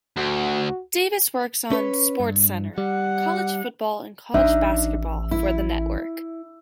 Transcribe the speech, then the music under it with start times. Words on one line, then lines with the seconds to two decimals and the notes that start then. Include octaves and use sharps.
Davis works on "SportsCenter", college football and college basketball for the network.
0.17 D2 F#4
1.72 C#4 B4 C#5
2.20 G2
2.78 G3 F#5
4.34 A1 D4 D#4 E5
5.31 E4